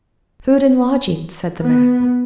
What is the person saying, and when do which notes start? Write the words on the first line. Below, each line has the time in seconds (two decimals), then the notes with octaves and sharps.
"Food and lodging," said the man.
1.62 B3